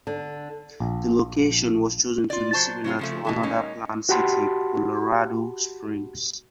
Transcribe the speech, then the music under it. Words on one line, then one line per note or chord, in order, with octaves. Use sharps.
The location was chosen to be similar to another planned city, Colorado Springs.
D3
A#1
F4 D5
F#3 C5 A5
F#3 C4 F4 G#4
C#3 F3 A3
B2 E3 A4
G#3 A#3 C#4 D#4
F#4 G4 F#5 A5 B5 C6